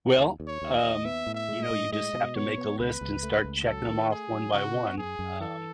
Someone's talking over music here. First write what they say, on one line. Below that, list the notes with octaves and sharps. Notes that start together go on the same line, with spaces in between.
well, um, you know, you just have to make a list and start checking them off one by one, um,
D#2
D#2
C#5
D#2
D#5
D#2
B3 E5
A2
E5
G#3
D#5
A2
G#3 D#5
B2
B3 C#5
B3
C#2 B4
C#2
A3
C#2
F#3 A4
D#3
A3 G#4
F#3
C#3 F#4
B3
F#2 G#4
F#2
E3 A4